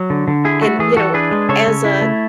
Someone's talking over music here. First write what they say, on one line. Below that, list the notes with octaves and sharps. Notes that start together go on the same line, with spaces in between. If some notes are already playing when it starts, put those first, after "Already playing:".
and, you know, as, uh,
Already playing: F#3
D3
D3
E4 G#4
A3 F#4
E3 G#4
E3 F#4 A4
D4 G#4 B4
G#3
C#3 A4 C#5
C#3
E4
A3